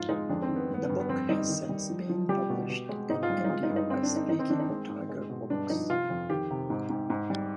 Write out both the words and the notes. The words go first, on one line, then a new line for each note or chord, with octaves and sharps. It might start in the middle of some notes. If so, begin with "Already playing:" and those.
The book has since been published in India by Speaking Tiger Books.
Already playing: F2 G#2 F4
G#3 D#4
F2 D4
C4
D#3
B3
G2 B3
G2
B3
F2 C4
G3 D#4
D#3
G3
F3
F3
G3 G4
B2
B2
G#3
G#2 D#4
F4
G3
D#4
G#3 F4
D#4
G2
D#4
D3 C4
D4
D3
D#4
D#3 D#4
C4
D#3 D4
D#4
G#3 C4
G#2
G#3
B2
G2 D4
F3 D#4
C3 F4
F2
D#3 G4
C3
G#2
G#2
G#2
G3